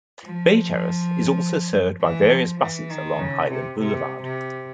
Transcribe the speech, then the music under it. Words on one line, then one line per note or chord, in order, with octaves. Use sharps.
Bay Terrace is also served by various buses along Hylan Boulevard.
F3
E3
F3
E3
D#3
C#3
C3
C3
C3